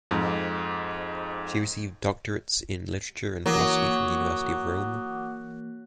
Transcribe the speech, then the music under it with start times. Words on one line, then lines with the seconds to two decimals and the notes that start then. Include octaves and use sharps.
She received doctorates in literature and philosophy from the University of Rome.
0.11 F2 G#2
3.46 E3 F#3 A#3 F#5 D6 D#6